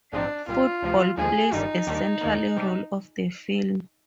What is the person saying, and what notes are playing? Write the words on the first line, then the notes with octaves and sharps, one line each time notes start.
Football plays a central role of the film.
A#1 G#2 F3 C4 D4 D#4
C2 A#2 G3 F4
D2 C3 F3
D#2 D3 F3 G#3 G#4
G1 G2 D#3 G3 D#4
D#2 D#3 G3 D4
D#2 D#3 A#3
C3 G3 D4 G4